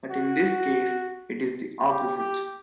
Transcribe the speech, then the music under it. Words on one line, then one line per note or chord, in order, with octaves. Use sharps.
But in this case it is the opposite.
F#4
G4
G4